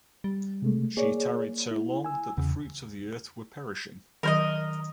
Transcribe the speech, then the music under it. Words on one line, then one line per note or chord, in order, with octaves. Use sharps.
She tarried so long that the fruits of the earth were perishing.
G3
C3 G#3 A3
A#3 G#4 C#5 D5
E4
G#5 E6
E2 C#3
D#3 F#3 A#4 C5 D#5